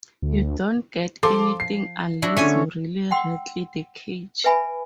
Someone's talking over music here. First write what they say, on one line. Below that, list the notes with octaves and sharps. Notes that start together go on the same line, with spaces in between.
You don't get anything unless you really rattle the cage.
D2
F3 A4 C6 D6
C7
D4 E4 F#4
D3 A3 C#4 G#5 C#6
F#5 G5 C6 E6
B4 E5 G#5 B5